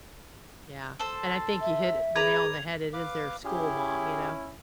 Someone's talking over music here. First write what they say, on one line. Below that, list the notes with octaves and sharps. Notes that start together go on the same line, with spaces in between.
Yeah, and I think you hit the nail on the head, it is their school mom, you know?
A4 C5
E5
G#4 B4 D5 A#5 G#6 F7
B4 F5 D6
C#4 E4 G4 G#4